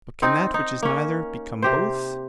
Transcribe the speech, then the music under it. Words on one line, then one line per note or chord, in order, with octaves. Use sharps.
But can that which is neither become both?
C4 D#4
D#4
A#3 C#4
C3 G4 C5